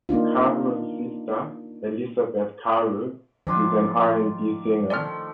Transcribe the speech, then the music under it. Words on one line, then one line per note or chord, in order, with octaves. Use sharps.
Carew's sister, Elisabeth Carew, is an R and B singer.
A#3 D4 D#4 F4
D#3 F3 D4 F4
D#3 F3 A3 D5 F6